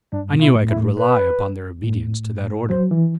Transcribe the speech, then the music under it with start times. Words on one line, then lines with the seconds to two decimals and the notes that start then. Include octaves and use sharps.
I knew I could rely upon their obedience to that order.
0.12 G2 D4
0.34 B2
0.41 E4
0.56 A2
0.69 E4
0.77 A2
0.98 B4
1.84 A2
2.70 F#3 C5
2.91 E3